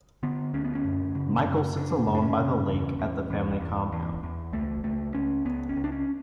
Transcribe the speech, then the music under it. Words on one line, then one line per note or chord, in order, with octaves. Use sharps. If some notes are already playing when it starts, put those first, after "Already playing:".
Michael sits alone by the lake at the family compound.
D3 B3
D2 C#4
B3
C#4
F#2
C#3
F#2
C#3 D4
F#2
D4
C#4
C#3
E2
E2
E2
E2
E2
E2
C#2 A3
C#2 A3
C#2 C#4
C#2 B3
C#4
C#2
D4
C#4